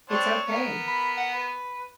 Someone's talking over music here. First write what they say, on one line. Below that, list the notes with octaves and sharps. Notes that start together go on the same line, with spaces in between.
It's okay.
C4 D4 C#5
B3 A#4
B5
F#5
B4